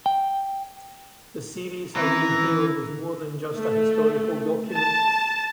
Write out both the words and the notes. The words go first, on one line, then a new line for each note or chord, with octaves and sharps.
The series has been hailed as more than just a historical document.
G5
D#3 E3 C4 C#4 A#5
A3
A5